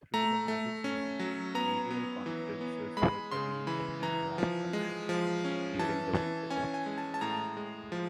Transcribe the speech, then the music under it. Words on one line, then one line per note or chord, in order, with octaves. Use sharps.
Through the magazine, medial conferences were arranged in warm countries, during the winter.
A3 A#5
A3
C#4
F#3
B3 A#5
B3
E3
B3
G#3 B5
C#3 C6
E3 B5
E3 A#5
F3
G#3
F3
C#4
E3 A5
E3 A5
C#4 G#5
G#5
G#3
A5
A5
A2 A#5
G#3
F3